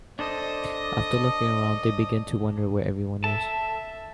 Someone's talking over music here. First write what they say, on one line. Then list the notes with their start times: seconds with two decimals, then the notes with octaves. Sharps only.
After looking around, they begin to wonder where everyone is.
0.19 D4 A4 C5 D#5
3.24 A4 E5 A5